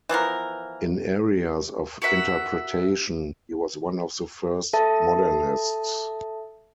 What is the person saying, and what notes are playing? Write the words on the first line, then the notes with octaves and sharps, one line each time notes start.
In areas of interpretation he was one of the first modernists.
E3 F3 B3 A#4
F#4 A#4 E5 F#5
A4 E5 A5